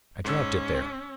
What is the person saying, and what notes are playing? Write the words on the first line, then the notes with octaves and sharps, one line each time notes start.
"I dropped it there."
G#2 C#4 E6